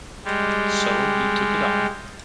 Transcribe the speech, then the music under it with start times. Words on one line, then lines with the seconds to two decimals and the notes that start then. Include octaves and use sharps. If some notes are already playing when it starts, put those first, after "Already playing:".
So we took it on.
0.25 G3 G#3